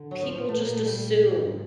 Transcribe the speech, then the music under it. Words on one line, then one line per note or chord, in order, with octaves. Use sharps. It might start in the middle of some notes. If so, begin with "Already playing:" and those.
people just assume
Already playing: D3
F#3
F3
A#2 F3
A3
A#3
A3
G3
G#2